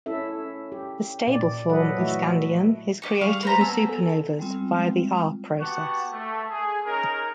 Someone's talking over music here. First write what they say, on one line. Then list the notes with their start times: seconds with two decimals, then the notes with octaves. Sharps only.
The stable form of scandium is created in supernovas via the r-process.
0.06 C#4 E4 A4 E5
0.72 G4
1.27 A#2 D5
1.69 F#3 A4 B4 D#5 F#5
1.97 E3 A3 F#4 E5
3.02 G4 C#6
3.21 G3 G#4 F5 C#6
3.43 B4 C5 A#5
3.61 B3 G#5 A5 E6
3.89 A4
4.39 G3 G#3 B3 C4 F4
5.61 B3 F#4 G4 F#5 A5 C#6
6.13 A3
6.50 G#4
6.86 C#4 D#4 G#4 A#4